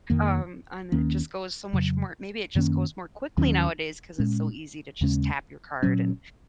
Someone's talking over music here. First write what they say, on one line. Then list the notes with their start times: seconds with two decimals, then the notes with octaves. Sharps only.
uh, um, and it just goes so much more Maybe it just goes more quickly nowadays cause it's so easy to just tap your card, and,
0.10 F2 D#3 A#3
0.92 D#2 D#3 A#3 C#4
1.73 F2 C#3 F#3
2.55 F#2 D#3 A#3 C#4
3.37 D#2 D#3 F#3 C#4
4.18 A#2 G#3 C#4
5.01 D#2 C#3 G#3 C#4
5.83 A#2 F#3 C#4